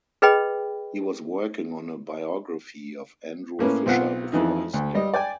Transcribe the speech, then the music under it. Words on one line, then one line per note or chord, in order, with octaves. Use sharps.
He was working on a biography of Andrew Fisher before his death.
G#4 B4 D#5 G5 B5
A2 A#3 C#4 B4
B1 C4 F4 F#5
F2 E3 D#4
D2
G3 D#5
D5 G5 G#5